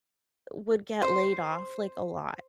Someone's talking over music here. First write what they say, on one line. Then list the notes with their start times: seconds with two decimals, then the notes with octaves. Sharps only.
would get laid off, like, a lot,
1.02 C5